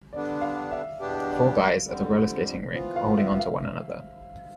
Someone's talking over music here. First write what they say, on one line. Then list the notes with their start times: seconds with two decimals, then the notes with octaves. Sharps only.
Four guys at a rollerskating rink holding on to one another.
0.13 D3 G3 B3 D4 D5
0.41 F5
0.71 E5
0.99 E2 B2 B3 D4 G4
1.86 F2 D3 G3 C4
2.73 E3 B3 F4 C5
2.96 F5
3.18 E5
3.39 F5